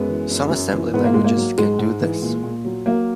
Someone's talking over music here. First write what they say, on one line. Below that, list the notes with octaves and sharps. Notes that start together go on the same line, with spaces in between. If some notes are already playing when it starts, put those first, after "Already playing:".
Some Assembly languages can do this.
Already playing: F#2 G#3 B3
E3
F#2
F#2
E3
G#2 B3
A#3
G#2 G#3
A#3
F#3
G#2 G#3
G#2
E3
A#2
A#2
F#3
F#3 A#3